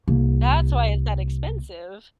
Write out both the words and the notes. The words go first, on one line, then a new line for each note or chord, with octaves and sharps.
that's why it's that expensive."
C2 A#3